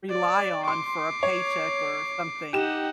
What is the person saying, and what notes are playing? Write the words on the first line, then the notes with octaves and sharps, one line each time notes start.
rely on for a paycheck or something
D5
C6 D6 C7
C#5
D#4 G4 F#5 E7